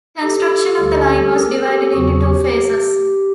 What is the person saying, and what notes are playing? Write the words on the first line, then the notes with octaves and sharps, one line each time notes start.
Construction of the line was divided into two phases.
G4 A4
D2 D3 G3
G#4 A#4
G4 A4
E2 C#3 F#3 F#4 G#4
G4
G4